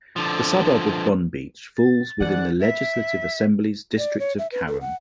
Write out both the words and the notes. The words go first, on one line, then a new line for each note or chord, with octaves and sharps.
The suburb of Bonbeach falls within the Legislative Assembly's District of Carrum.
D3 F3
A6
D#2 G#2 E3 D5 F#5
E5
D5
C#5
E5
B4
A4
F#5